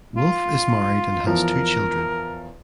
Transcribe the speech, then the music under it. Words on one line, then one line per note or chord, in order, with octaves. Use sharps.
Wolf is married and has two children.
F4
E2 F3 A#4